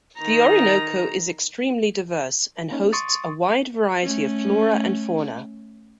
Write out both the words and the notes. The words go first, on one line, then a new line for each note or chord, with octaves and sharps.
The Orinoco is extremely diverse and hosts a wide variety of flora and fauna.
D#3 A#5
A#3 C#4 D#4
C6 C#6 D#6 A6
A3 C#4